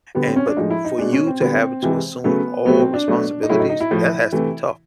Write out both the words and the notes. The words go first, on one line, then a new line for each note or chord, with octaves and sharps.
And but for you to have to assume all responsibilities, that has to be tough,
D3 G3 B3
C4
C#4
D4
A2 F3 G#3 D#4
E4
D#4
B2 G#3 D4
C#4
C4
D3 G3 B3
C4
C3 E3 G#3
C#3 F#3 A3 B3
B2 F#3 A3 B3
C4
D4
B2 F#3 A3
D#4
A2 F#3 A3 E4
D#4
D#4
E4
A2 F3 A3
C3 E3 A3